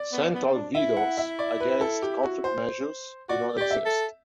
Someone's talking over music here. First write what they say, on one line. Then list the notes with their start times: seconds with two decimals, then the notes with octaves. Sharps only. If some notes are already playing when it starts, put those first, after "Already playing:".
Central vetoes "against" conflict measures do not exist.
Already playing: D5
0.12 B3
0.34 B3
0.44 C4
0.54 D4
0.75 E4 E5
0.97 F#5
1.17 E5
1.39 D5
1.60 B4
1.81 A4
2.02 G4
2.23 F#4
2.44 C5
3.29 F#4 D5
3.57 G4 D5
3.71 E5
3.86 A4